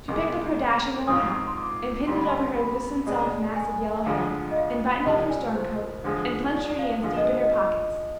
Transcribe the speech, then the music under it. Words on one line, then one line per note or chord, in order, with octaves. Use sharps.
She picked up her dashing little hat, and pinned it over her loosened soft mass of yellow hair, and buttoned up her storm coat, and plunged her hands deep in her pockets.
C2 B2 G#3 D6
G#2 F3 C4 F4 D#6
C6
D6
D2 D3 G3 C6
B5
C6
B5
B2 G#3 D4
G#5
D2 D3 F3 G#3 F5
D#5
F5
C2 C3 F3 D#5
D5
G#5
C5
D3 F3 G#3
D5
F5
D3 F3 G#3 F5
D#5
B4
C5
D#5